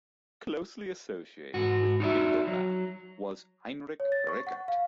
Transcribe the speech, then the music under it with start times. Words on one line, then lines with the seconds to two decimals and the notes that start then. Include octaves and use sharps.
Closely associated with Windelband was Heinrich Rickert.
1.54 G#2 F#4
2.00 D#4 F#4 D5 E5
2.47 F#3
4.00 C#5
4.12 A6
4.29 C#6
4.47 F#5
4.68 F5